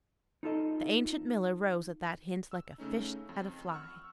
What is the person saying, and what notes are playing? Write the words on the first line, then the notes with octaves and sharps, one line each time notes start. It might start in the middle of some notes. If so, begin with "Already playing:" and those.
The ancient miller rose at that hint like a fish at a fly.
D#4 F4 A4 D#5
E6
C#3 A3 C#4 D#4
F2
F#5 C#6 E6 F6